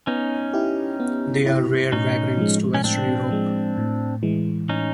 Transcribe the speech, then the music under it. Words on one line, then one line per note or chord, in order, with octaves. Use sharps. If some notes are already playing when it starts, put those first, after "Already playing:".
They are rare vagrants to western Europe.
B3 C#4 D#4
E4 G4
B3
E4 G4
A2 C#4 D#4
F3 G#3
C#4
A2 C4 D4
F3 G#3
A2
E3 G#3
A2 C#4 D#4